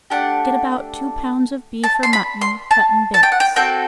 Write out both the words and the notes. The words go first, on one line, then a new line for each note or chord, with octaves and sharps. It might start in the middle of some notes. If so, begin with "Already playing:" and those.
Get about two pounds of beef or mutton, cut in bits.
A3 D4 G4 F#5
A5
C6
B5
C6
A5
A5
G5
F#5
G5
C4 F#4 A4 G5